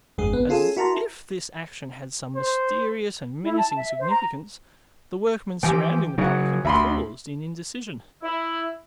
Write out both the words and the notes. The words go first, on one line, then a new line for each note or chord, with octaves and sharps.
As if this action had some mysterious and menacing significance, the workmen surrounding the publican paused in indecision.
G1 F2 G#3 G#4 C7
A#1 B3
C#4 F4 G#4 A4
E4 F#4 A#4 A5 A#5 C6
C5
E4
A5
E5
C5
A#5
E3 F3 G4 G5
C#3 F#3 D#4 F#5
D2 E5 B5 C6
E4